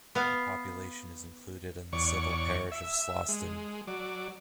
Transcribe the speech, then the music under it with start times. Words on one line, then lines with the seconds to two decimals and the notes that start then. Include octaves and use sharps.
The population is included in the civil parish of Slawston.
0.15 B3 F5
1.93 E2 C#5 D5 C#6
2.72 E5
3.29 G#3
3.87 F#3 D5